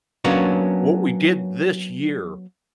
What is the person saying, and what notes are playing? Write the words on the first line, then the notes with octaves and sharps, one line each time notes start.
what we did this year
F#3 A#3 B3 C#4 D4